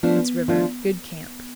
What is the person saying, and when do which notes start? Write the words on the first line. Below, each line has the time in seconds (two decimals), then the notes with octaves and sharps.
Soot's River.--Good camp.
0.03 F3 A3 B3 D4 F4
0.48 F3 A3 D4 F4